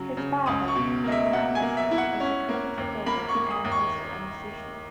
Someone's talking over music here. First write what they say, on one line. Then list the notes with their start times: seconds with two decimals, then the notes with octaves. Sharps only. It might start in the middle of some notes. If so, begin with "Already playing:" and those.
His father, Irving Anderson, was a carpenter-builder and also a musician.
Already playing: C#3 F#3
0.17 C#3
0.46 C#2 D#6
0.68 C#6
0.75 B2
1.04 A#3 D#5
1.12 E5
1.33 B2 F#5
1.55 G#5
1.62 A#3
1.77 E5
1.91 E4
1.98 F#5
2.20 C#4
2.49 A#3
2.77 D#2
3.06 A#3 B5
3.29 C#6
3.35 A#3
3.50 D#6
3.65 D#2
3.72 C#6